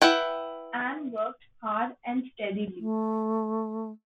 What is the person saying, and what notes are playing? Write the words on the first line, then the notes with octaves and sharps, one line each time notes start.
Anne worked hard and steadily.
E4 B4 F#5 G5
A3